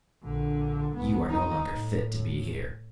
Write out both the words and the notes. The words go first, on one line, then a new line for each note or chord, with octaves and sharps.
You are no longer fit to be here.
A#1 D3
C2 B3
D#4
A2